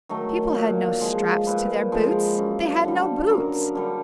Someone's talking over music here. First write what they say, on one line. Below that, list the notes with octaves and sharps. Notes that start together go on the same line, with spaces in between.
People had no straps to their boots, they had no boots.
D#3 F#3 A3
A#2
F3 G#3
A#2 B4
F3 G#3
F#2
D3 G3
F#2 A#4
D3 G3